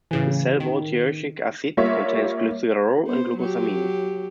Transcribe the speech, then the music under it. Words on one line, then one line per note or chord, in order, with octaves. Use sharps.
The cell wall teichoic acid contains glycerol and glucosamine.
A2 C#3 E3
D#3
G3 A#3 F4 C#5 E5
B3 C5
F#3 G4